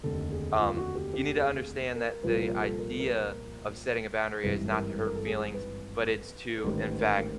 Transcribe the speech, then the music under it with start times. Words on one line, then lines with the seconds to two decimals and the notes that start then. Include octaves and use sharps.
um, you need to understand that the idea of setting a boundary is not to hurt feelings, but, it's to, in fact
0.03 F1 D#2 D3 A4
0.31 G#4
0.58 F4
0.77 F#4
0.95 G4
1.13 G4
1.42 G#4
1.96 A#4
2.23 C2 A#2 F3 B4
2.42 A#4
2.61 A4
2.79 A#4
2.90 A4
3.00 A#4
4.43 G#1 G2 E3 B4
4.72 A#4
4.99 A4
5.07 A#4
5.15 A4
5.26 G#4
5.54 B4
6.58 A4
6.64 A1 G#2 D#3 A#4
6.82 B4
7.00 A#4
7.19 A#4